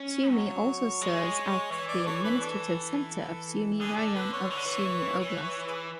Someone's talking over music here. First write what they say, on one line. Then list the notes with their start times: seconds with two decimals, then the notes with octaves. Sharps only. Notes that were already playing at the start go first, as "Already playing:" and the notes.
Sumy also serves as the administrative center of Sumy Raion of Sumy oblast.
Already playing: C#4
0.31 F#3 C#5
1.01 G#3
1.70 E3 C#5
1.88 D5
2.06 A4 C#5
2.24 B4
2.41 D4 A4
3.80 D3 G#4
3.97 D4 A4
4.14 B4
4.33 C#5
4.50 E3 C#5
4.57 D3
4.66 E3
5.20 E3 C#5
5.42 C#5
5.67 G#4 B4